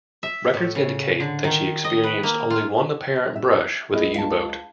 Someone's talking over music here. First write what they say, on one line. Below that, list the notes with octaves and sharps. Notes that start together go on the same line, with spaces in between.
Records indicate that she experienced only one apparent brush with a U-boat.
E5
A2
C#3
D3
D#3
D#5
B4
A#3
F4
E5
C#2 E4 G#4 D#5
F5 A5